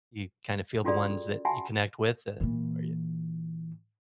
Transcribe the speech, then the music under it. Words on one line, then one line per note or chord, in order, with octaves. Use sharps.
you kinda feel the ones that you connect with that or you
C#4 F4 F#4 G#4 A4 D5
F#4 E5 F#5 G#5 A5 B5
A#2 E3